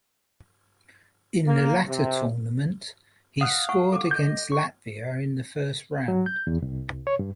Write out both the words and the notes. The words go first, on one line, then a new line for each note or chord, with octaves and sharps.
In the latter tournament, he scored against Latvia in the first round.
A#3
C3
F5 F#5 D#6 F6 F#6
F#5 G#5 C#6
A4 D6
D#5 G6
C#6
F#3
G6
E2
C2
C#5
G2